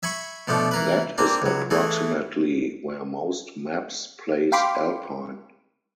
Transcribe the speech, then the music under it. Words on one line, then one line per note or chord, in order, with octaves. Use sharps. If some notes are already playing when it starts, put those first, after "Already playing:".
That is approximately where most maps place Alpine.
E5 G#5 B5 C#6
B2 F3 A3 D4
E3 A#4 B4
A#3 C4 D4
C#2 F#3
E3 A3 G#4
F5 G5 B5 C6 D6